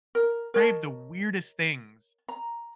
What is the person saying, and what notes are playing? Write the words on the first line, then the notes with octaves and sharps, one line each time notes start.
crave the weirdest things,
A#4
A#4 C#5 D#5 A5
A#5